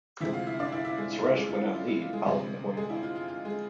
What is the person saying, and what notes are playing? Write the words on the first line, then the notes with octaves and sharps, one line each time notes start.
Suresh went on leave following the boycott.
D2 C3 F3 G#3 E4 E5
F4 F5
E4 E5
D4 D5
E4 E5
E4 E5
G#3 G#4
E4
F4
G#3 G#4
F4
E4
F4
E4
F4
G#3 G#4
D2 C3 F3 G#3
G#3 G#4
E4
F4
F4
F4
G#3 G#4